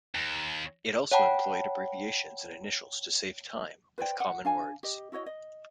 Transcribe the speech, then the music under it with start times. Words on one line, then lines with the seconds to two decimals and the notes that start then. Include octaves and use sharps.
It also employed abbreviations and initials to save time with common words.
0.15 D#2
1.12 C#5 F#5 G5 A5 B5
3.98 B4 C5 D5 G5
4.20 F#5
4.45 D4 F5 G#5
4.83 G4 D#5
5.12 E4 F#4 C#5 D#5
5.26 D#5